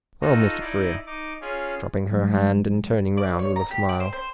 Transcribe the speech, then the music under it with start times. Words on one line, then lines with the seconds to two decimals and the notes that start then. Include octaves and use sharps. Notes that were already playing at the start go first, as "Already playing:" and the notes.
"Well, Mr. Frere," dropping her hand, and turning round with a smile.
0.22 D#4 F4 F#4 A4 D#5
0.61 D#4 E4 D5 D#5
1.06 D#4 D6
1.41 C#4 F4 G#4
2.12 E3 F#3 G#3
3.17 D5
3.39 C#5
3.56 A#5
3.71 G4
3.89 D5
4.00 C5
4.13 C5